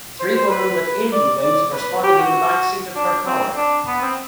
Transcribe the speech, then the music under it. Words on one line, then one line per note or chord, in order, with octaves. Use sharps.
Three women with angel wings are spotted in the backseat of her car.
C5
C5
B4
D5
D5
B4
G4
F#4
D4
C4
D4
B3
C4